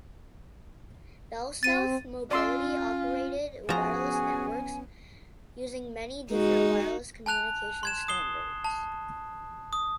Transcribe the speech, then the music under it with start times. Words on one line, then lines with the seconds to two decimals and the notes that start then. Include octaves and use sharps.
BellSouth Mobility operated wireless networks using many different wireless communication standards.
1.63 C4 A6 D#7
2.31 C#4 F4 D5 C6 E6
3.69 F3 B3 C#4 F#4 G#4 G#5 A#5
6.31 G#3 D#4 F#4
7.26 G#5 A5 F#6 F7
7.83 C6 G#6 E7
8.08 D#6 C7 G7
8.65 A5
9.73 D#6